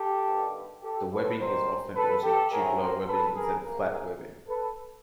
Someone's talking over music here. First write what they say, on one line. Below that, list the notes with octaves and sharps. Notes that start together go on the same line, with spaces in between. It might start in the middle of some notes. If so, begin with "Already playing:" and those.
The webbing is often also tubular webbing, instead of flat webbing.
Already playing: G4 A4
G2 D#3 G3 B3
G4 A4
A4 B4
B2 G3 B3 A#4 C5
A4 B4
G4 A4
A2 F#3 A3 C4 G#4 A#4
A#4 C5
A4 B4
G#4 A#4
A2 F3 A#3 G#4 A#4
A4 B4